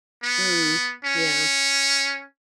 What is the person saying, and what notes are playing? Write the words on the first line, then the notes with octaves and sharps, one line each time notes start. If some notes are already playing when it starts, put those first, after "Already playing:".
Mm. Yeah.
B3
C#4